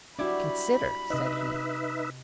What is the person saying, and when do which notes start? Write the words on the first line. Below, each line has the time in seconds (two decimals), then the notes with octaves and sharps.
"Consider," said he.
0.19 G3 D4 E4 F#4 D5 B5
1.10 C3 D#4 B4 D#5 E5